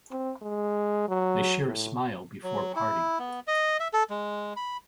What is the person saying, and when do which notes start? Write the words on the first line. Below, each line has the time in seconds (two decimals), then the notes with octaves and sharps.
They share a smile before parting.
0.11 C4
0.42 G#3
1.08 F#3
1.64 A2
2.43 F#3
2.76 E4
3.19 B3
3.47 D#5
3.80 E5
3.93 A4
4.10 G#3
4.56 B5